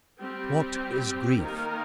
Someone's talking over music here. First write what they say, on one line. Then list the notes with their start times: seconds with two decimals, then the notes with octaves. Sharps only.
What is grief?
0.20 G3 C4 G4
1.40 D#3 A#3 D#4 A#4